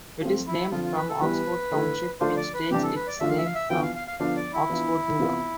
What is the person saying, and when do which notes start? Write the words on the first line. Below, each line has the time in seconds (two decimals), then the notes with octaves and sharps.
It is named from Oxford Township, which takes its name from Oxford, New York.
0.22 F3 A3 C4 F4
0.47 E4
0.71 D3 F3 C4 F4
0.84 F4
0.96 B4
1.09 A4
1.21 E3 G3 B3 E4 B4
1.71 D3 A3 E4
2.20 D3 F3 A3 D4 F4 C5
2.37 D5
2.54 B4
2.71 C3 E3 G3 D4 G4
2.83 A4
2.96 B4
3.07 D5
3.20 D3 F3 A3 D4 F4 E5
3.29 F5
3.38 E5
3.46 F5
3.55 E5
3.70 E3 B3 D4 F4 G5
3.83 F5
3.95 F5
4.07 F5
4.20 D3 F3 B3 D4 F4 F5
4.36 D5
4.53 E4
4.70 E3 B3 D4 F4
5.19 C3 E3 B3 F4